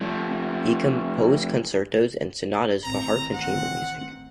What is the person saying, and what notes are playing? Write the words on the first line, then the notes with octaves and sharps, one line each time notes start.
He composed concertos and sonatas for harp and chamber music.
F3 A3
A1 D#3 C4 A#5
F#5